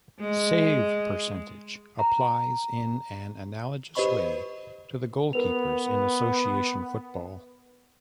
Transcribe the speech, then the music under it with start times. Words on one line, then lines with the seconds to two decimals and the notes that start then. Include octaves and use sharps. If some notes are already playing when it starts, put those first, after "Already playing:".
Save percentage applies in an analogous way to goalkeepers in association football.
0.21 G#3
1.99 A#5
3.95 G4 B4 C5 D#5 B5 C#6
5.33 B3 A#4 B4 F7